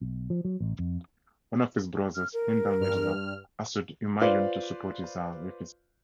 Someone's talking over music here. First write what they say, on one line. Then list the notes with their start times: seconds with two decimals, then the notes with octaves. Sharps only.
One of his brothers Hindal Mirza assured Humayun to support with his army.
0.01 B1
0.30 F3
0.45 F#3
0.60 A1
0.79 F2
2.15 F6
2.34 A#4
2.80 G2 F6
4.22 F4 B4 C5 D5 F5